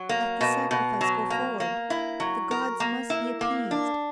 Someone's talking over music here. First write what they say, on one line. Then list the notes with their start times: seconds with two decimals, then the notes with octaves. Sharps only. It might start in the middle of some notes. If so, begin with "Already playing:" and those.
Let the sacrifice go forward; the gods must be appeased.
Already playing: F#3
0.09 A#3
0.41 B2
0.71 B2
1.01 F#3
1.30 A#3
1.60 A#3
1.90 E4
2.20 F#3
2.51 A#4
2.80 A#3
3.10 E4
3.41 A#3
3.71 D4